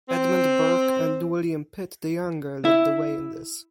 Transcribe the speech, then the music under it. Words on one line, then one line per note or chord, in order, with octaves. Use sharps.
Edmund Burke and William Pitt the Younger led the way in this.
C4
E4